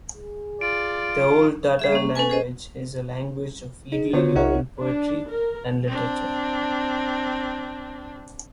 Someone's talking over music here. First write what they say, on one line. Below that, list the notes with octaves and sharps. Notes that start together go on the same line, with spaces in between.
The Old Tatar Language is a language of Idel-Ural poetry and literature.
G#4
F4 D5 D7
G3 G#4 E5
A#3 C#4
C#4 A4 B4 G#5
G#4 C5 D#5
D#4 G#4
D3 B3 F4 F#4 C5 C#5
C2 D#4 A#4 C#5 E5 F#5
D4
A#4
C4 D4